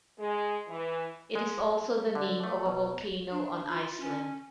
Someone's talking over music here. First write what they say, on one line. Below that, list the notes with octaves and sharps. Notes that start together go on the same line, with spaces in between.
It is also the name of a volcano on Iceland.
G#3
E3
G#3
D3
A3
B2
D4
F4
C#4